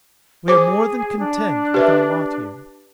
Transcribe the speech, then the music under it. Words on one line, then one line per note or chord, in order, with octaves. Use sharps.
We are more than content with our lot here.
G#4 C5 D6
D4
G4 B4 E5